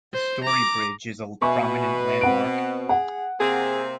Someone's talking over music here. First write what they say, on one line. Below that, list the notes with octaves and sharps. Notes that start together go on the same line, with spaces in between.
The Story Bridge is a prominent landmark.
C5
A#5 D6
B2 B4 E5 G#5 C#6
C4 F#5 D7
G#4 F#5
C3 A#3 C4 G#4